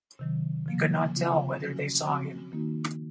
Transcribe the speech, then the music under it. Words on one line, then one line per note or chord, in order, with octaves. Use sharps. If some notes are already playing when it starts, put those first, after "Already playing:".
He could not tell whether they saw him.
C3 D#3 F#3
C#3 F3 A#3
C#3 F3 C4 F4
F#3 C#4 F#4
F3 C4 F#4
D#3 A#3 D#4 F#4